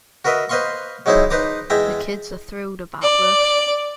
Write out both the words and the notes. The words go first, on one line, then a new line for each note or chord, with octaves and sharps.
The kids are thrilled about this.
F#4 A#4 B4 D#5 E5
B4 C5 D#5 F5 C6 C#6
F#3 G#3 D#4 E4 C5 C#5
D#4 B4 C5 A#5 D6
E2 G#3 E5 G5 A#5
D5